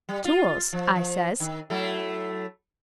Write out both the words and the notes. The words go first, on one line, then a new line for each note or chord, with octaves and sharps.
"Tools?" I says.
G3
F4
F3
F3
D#3
F#3 A3 E4